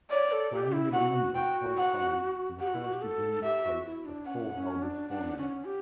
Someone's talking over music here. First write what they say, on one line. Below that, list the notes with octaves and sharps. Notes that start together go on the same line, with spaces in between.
Triangular numbers correspond to the first-degree case of Faulhaber's formula.
C#5 D5
A4
G4
E4
F#4 F#5
F#4 G5
F#5
G4 F#5
F#4
E4
F#4
G4
A4
G4 E5
F#4
E4
D4
C#4 F#5
C#4
D4
D4 F#5
C#4
G4